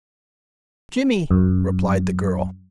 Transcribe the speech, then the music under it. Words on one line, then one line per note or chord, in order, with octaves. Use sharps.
"Jimmy," replied the girl.
F#2